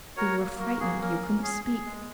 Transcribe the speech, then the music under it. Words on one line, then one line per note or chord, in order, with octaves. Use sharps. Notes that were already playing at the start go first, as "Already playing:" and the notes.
For you were frightened; you couldn't speak.
F#4 A#4 C#5
A#3
F#4 A#4
A#3 G#4
C#4 A#4
C#4
G#4
G#4
G#3